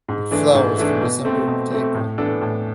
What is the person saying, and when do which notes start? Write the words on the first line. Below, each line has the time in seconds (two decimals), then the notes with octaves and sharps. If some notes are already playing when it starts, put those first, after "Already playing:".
It flowers from December to April.
0.08 G#2
0.31 E3 A3 D4
0.55 G#2
0.78 E3 A3 D4
1.01 B2
1.25 A3 C4
1.47 B2
1.71 A3 C4
1.95 A2
2.18 E3 B3 D4 A4
2.41 A2